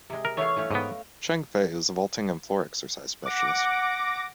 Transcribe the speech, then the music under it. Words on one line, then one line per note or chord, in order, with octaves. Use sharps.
Cheng Fei is a vaulting and floor exercise specialist.
C3 G#3
A#4
E3 A3 B3 C#5 F5
E3 A3 C#4
G#2 B3 D#5 G5
F#5 D6 A#6 D7